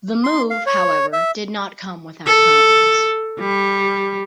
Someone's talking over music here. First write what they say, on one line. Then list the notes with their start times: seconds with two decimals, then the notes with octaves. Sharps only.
The move, however, did not come without problems.
0.24 C6
0.50 F5
0.66 C#5
1.13 E5
2.26 A4
3.39 G3